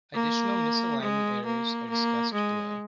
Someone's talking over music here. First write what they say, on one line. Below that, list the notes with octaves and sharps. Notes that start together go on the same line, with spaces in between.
Additional misalignment errors are discussed below.
A#3
G#3
A#3
A#3
G#3